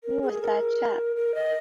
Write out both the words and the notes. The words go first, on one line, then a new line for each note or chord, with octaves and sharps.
Who was that chap?
A#4
G#4
A#4
A#4
D#5